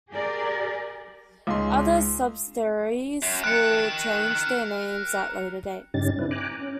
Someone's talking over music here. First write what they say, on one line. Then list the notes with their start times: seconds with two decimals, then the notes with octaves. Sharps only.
Other subsidiaries will change their names at later dates.
0.11 G4 G#4 A#4 D5
1.47 C#2 D#4 G#4 C6
3.22 F#2
3.44 A#4 G5 F#6 C#7
5.94 G2 C#3 C#4 D#4 G4 A6
6.19 C4 D4 E4 B4
6.31 G5 G#5 A#5 D6 F#6
6.59 C#4